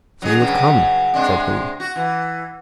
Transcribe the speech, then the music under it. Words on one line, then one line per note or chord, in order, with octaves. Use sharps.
"So you have come?" said he.
F#3 D#4 G#4
G2 C#3 F#3
C3 G#3 D4
F#4
E3